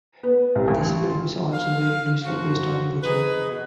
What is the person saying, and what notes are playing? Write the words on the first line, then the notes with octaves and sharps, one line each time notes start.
This film is also very loosely based on the original.
B3
C2
A1
F4
F5
F#2 F3 F#4
F2 D#4 G#4 B4
B2